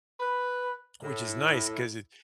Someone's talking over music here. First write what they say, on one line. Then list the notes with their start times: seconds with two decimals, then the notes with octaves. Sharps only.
which is nice 'cause it
0.20 B4
1.03 A2